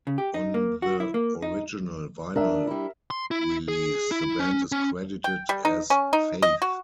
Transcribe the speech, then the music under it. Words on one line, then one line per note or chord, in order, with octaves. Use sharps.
On the original vinyl release, the band is credited as Faith.
C#3
G4
D#4
A#3
F#4
E4
A#3
D#4
D4 A#4 E5
G3 E4
C6
E4
G#4
E4
C#4
C#4
G5
G3
D#4
C#4
D#4
D#5
F#4